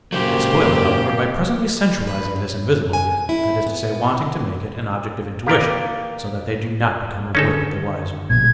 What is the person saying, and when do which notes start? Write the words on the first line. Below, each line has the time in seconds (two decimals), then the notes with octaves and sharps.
They spoil it, however, by presently sensualizing this invisible again; that is to say, wanting to make it an object of intuition, so that they do not become a whit the wiser.
0.12 A#2 C#3 F#3 A#3 G4 C5
2.07 B4
2.36 F#2
2.93 G#5
3.29 E4
3.67 B3
5.47 A#3 G4 A#4 D5
7.35 D3 D#3 C#4 D#4 G#4 A4
8.30 A#1 B2 G#6